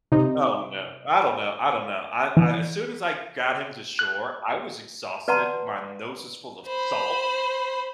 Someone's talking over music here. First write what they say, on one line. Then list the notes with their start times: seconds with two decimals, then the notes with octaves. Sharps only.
Oh, no. I don't know, I don't know, I uh, as soon as I got him to shore, I was exhausted, my nose is full of salt,
0.12 C3 D#4
2.37 E3
3.99 F#6
5.28 B4 D5 F#5 A5 A#5 C6
6.67 C5 B5